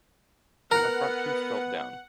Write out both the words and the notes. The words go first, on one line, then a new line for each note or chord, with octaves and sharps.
My front tooth felt down.
B3 A#4 B4 F#5 A#5